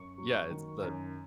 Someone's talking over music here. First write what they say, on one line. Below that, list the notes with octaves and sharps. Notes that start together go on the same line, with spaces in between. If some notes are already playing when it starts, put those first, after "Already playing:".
Yeah, it's the
Already playing: F#2 C#6
F#3
D#3
F#2